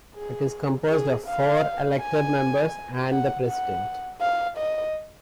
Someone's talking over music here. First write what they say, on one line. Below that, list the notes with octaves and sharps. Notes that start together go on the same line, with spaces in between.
It is composed of four elected members and the President.
G#4
G#4
F5
G#5
F#5
F#5
F5
D#5